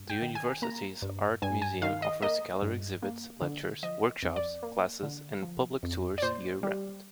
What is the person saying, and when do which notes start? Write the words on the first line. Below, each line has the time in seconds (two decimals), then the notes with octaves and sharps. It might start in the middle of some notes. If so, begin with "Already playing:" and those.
The university's art museum offers gallery exhibits, lectures, workshops, classes, and public tours year-round.
Already playing: G2
0.10 G5
0.22 D#3
0.35 G#5
0.62 A#3 A#5
1.02 G2
1.42 G2 G#5
1.62 G#5
1.82 D#3 F5
2.02 D#5
2.22 A#3 D#5
2.62 G2
3.02 A#3
3.42 D3
3.83 F3 D#5
4.22 F2
4.36 D5
4.63 A#3
5.03 D3
5.42 F3
5.83 F2
6.18 D5
6.22 A#2 C5
6.63 G3